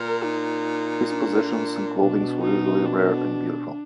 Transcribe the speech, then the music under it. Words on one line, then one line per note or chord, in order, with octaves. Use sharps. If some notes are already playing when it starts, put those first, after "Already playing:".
His possessions and clothings were usually rare and beautiful.
Already playing: A#2 A#4
D#4
D4
B2 D4
D#4
D4